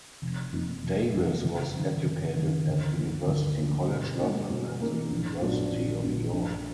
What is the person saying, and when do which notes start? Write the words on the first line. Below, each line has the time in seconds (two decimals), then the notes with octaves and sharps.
Davies was educated at University College London and the University of York.
0.22 F1
0.52 F2 F3 A#3 D#4
0.83 F1
1.14 F2 F3 A#3 D#4
1.45 F#1
1.75 F#2 D#3
2.05 F#1
2.36 F#2 D#3
2.67 D2
2.97 D3 F3 A#3
3.27 D2
3.58 D3 F3 A#3
3.88 B2
4.19 A#3 D#4 A#4
4.49 B2
4.80 A#3 D#4 A#4
5.11 A#1
5.41 A#2 F#3 B3 D4
5.71 A#1
6.02 A#2 F#3 B3 D4
6.33 A#1